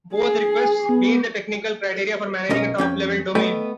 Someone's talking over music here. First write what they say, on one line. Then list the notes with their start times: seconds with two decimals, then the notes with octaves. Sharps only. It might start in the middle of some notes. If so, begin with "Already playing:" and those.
Both requests meet the technical criteria for managing a top-level domain.
0.14 G#4 C7
0.89 B3
2.50 B1 F#2 C#4 A#4 D#5
2.78 F2 C#4 G5
3.35 A3 B3 A4 B4 D#5 G5